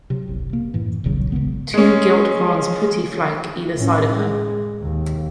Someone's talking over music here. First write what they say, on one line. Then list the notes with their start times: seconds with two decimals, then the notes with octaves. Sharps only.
Two gilt bronze putti flank either side of her.
0.10 C3 F#3
0.28 F#1 C2
0.49 C3 A#3
0.74 F#2 A2 E3
1.04 D#1 B1 C#3 F#3
1.32 G#1 C#3 G#3 B3
1.74 G#3 C#4
3.76 A2 C#4
4.10 G#3
4.81 D#2